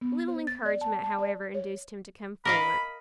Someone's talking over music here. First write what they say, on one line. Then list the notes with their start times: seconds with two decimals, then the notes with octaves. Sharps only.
A little encouragement, however, induced him to come forward.
0.01 B3
0.28 C5
0.47 A6
0.66 D5
0.81 A5
1.04 A5
1.19 D5
1.54 C#5
2.45 A#4 D#5 F5 B5